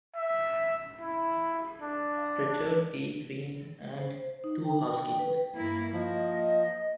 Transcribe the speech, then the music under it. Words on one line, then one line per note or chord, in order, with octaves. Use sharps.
Richard T. Crean, and two housekeepers.
E5
E4
D4
C5
D#4
G5
G5
B4
G2 A#3 E4
F3 A#3 D#5